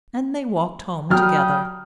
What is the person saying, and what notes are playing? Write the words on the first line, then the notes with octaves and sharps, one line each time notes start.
And they walked home together.
F#3 G3 G5 D#6 F6